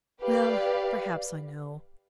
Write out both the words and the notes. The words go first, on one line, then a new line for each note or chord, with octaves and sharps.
Well, perhaps I know.
G4 B4 D5 F5